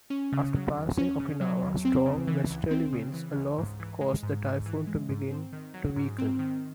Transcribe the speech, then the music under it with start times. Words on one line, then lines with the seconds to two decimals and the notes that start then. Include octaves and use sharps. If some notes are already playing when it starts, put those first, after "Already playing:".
After passing Okinawa, strong westerly winds aloft caused the typhoon to begin to weaken.
0.10 C#4
0.32 C#3
0.55 F#3
0.76 E2
0.98 C#4
1.20 C#3
1.41 F#3
1.62 E2
1.85 C4
2.06 C#3
2.27 E3
2.50 C#2
2.71 C4
2.92 C#3
3.14 E3
3.36 C#2
3.58 G#2
3.80 E3
4.01 G#3
4.23 G#2
4.45 G#2
4.66 E3
4.87 G#3
5.09 G#2
5.31 C4
5.53 D#3
5.74 F#3
5.96 G#2
6.18 C4
6.39 D#3